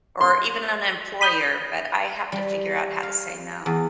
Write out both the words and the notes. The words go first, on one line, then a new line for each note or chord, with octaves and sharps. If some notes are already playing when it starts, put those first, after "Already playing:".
or even an an employer, but I have to figure out how to say no.
C6
B5 D#6 G6
G3
F5
E2